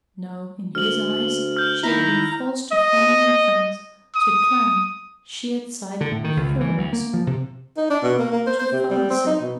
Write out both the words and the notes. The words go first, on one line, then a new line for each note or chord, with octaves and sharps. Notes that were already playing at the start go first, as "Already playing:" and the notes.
No, in his eyes she had been false to family and friends--to the clan--she had sided with "furriners." What would her father say?
D2 F6 F#7
F6 G6
D#3 E4 A#5
D#5
D#6
D3
A2
D#3
C#2
C#2
E3
D2
A#3
F3
C3
D#4
D4
B2
A#3
A#3
C5
C5
C3
G3
C4
D#4
B2